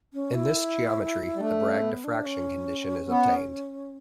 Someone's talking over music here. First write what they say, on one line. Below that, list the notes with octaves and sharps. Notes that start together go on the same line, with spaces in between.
In this geometry the Bragg diffraction condition is obtained.
C#4
E4
G3
A3 D4
C#4
B3
D4
C#4
B3